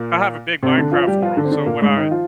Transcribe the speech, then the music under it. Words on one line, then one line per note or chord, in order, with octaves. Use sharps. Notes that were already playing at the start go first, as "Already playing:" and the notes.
I have a big Minecraft world, so when I
Already playing: A#2 A#3
C3 C4
D3 D4
F3 F4
G3 G4
F3 F4
D3 D4
C4
D3 D4
A#2 A#3
G#2 G#3
D#3 D#4
F3 F4